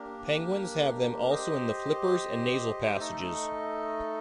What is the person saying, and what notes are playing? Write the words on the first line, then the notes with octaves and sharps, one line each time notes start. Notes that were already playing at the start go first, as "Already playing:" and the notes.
Penguins have them also in the flippers and nasal passages.
Already playing: A#3 D4 G4 A#4
G4 C5 D#5
A3 D#4 A4 D#5